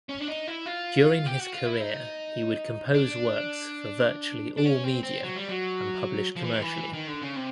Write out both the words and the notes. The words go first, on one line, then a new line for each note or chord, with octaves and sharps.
During his career he would compose works for virtually all media and publish commercially.
C#4
D4
D#4
E4
F4
G4
F#4
F4
E4
D#4
D4
D4
C#4
C4
C4
F#3
G3
F#3
F3
E3
D#3
E3
D#3
D3
C#3
C3